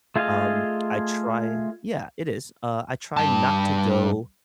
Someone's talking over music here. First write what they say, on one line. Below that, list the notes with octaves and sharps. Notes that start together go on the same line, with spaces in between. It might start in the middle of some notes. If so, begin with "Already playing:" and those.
Um, I try Yeah. It is. Uh, I try not to go
A3 F4 G#4 D#5 F5
G2 A5